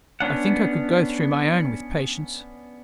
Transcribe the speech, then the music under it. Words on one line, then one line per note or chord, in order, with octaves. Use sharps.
I think I could go through my own with patience.
B3 C#4 D4 F#5